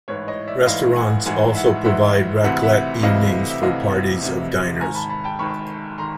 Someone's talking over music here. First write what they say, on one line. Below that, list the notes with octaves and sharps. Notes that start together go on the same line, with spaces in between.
Restaurants also provide raclette evenings for parties of diners.
A1 G#2 E3 B4 C#5
C#5 D#5
D5 E5
A1 G#2 E3 D#5 F5
F#5 G#5
A1 G#2 E3 F#5 G#5
E5 F#5
A1 G#2 E3 E5 F#5
D2 C3 E3 E5 F#5
E5 F#5
D2 C3 E3 D#5 F5
E5
D2 C3 E3 D#5 F5
D2 C3 E3
G#1 G#2 D#3 G#5 A#5
A5 B5
A5 B5
G5 A5
G#1 G#2 D#3 B5 C#6
D#3 A#5 C6